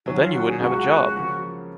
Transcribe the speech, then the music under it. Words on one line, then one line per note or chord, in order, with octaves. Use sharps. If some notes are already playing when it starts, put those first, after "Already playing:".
But then you wouldn’t have a job.
D#3 F#3 C#4 F#4
F4
F#4
G#4
C#2 C#3 G#3 C#4 F#4
C#3 F3 A#3